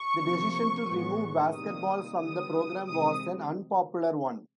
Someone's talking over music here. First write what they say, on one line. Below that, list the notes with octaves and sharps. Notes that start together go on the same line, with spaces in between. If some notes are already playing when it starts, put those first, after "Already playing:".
The decision to remove basketball from the programme was an unpopular one.
Already playing: C#6
C3 F3 A#3
A2 E3 G#3 B3
C3 D#3 G3 A#3 D#6
D3 G3 B3 D#6
C3 E3 G#3 D#6